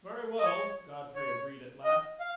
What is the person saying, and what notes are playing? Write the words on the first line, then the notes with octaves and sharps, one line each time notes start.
"Very well," Godfrey agreed, at last.
D#5
C#5
C#5
D#5
F5